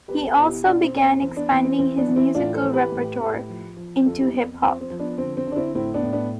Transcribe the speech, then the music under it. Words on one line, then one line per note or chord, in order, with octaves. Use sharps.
He also began expanding his musical repertoire into hip hop.
E2 G4 B4
A4 C5
B2 F4
E4 G4
B2 D4 F4
C4
E2
C4
E3 C4
B3 D4
E3 B3
C4
E3 C4
B3 D4
E3
C4 E4
A2 D4 F4
A4 C5
E3
G4 B4
A2
A2
F3
F3
F2 F4 A4
E4 G4
F2 B3
F3 C4
C4
F3
B3 D4
D3 C4
C4
D3
D4
C4 E4
A2 C4 E4
B3 D4
A2
B3 D4